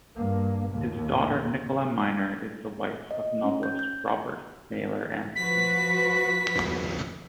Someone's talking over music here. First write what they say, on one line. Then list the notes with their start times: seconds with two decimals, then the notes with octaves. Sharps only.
His daughter Nicola Miner is the wife of novelist Robert Mailer Anderson.
0.16 G2 A#3
0.70 D#2 A2
3.11 D#5
3.44 C#4
3.63 G6
3.79 G6
5.36 F3 F#4 B4 B6